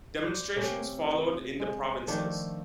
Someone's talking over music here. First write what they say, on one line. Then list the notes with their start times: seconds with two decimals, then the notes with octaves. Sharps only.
Demonstrations followed in the provinces.
0.22 C5 D5
0.56 C3 A3 C#4 G4
1.60 G#3
2.07 D#3 F3 A3 D4